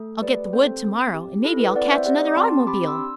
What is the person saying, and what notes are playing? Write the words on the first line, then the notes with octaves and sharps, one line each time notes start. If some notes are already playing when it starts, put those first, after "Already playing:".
"I'll get the wood to-morrow, and maybe I'll catch another automobile."
Already playing: A3 A4
G4 B4 D5
C4 A4 C5
C4
G4
E4 A4
B4
C4 D5 F#5
C5 E5
G4 D5 F#5
D6
C4 A5 C6
G4 B5 D6
C6 E6
D4